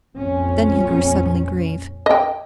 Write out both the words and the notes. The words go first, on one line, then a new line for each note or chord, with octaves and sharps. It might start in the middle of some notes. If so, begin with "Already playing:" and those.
Then he grew suddenly grave.
A#1 F2 C#4
D#5 G5